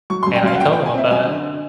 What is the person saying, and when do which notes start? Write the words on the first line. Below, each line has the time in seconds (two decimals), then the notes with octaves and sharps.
and I tell them about it
0.10 F#3 C#6
0.23 C6
0.27 F#2
0.35 G5
0.43 F#2 F5
0.55 F#5
0.60 A#2 G5
0.73 G5
0.77 A#2
0.86 G#5
0.94 C4 E5
1.10 F#2 G#5
1.28 D3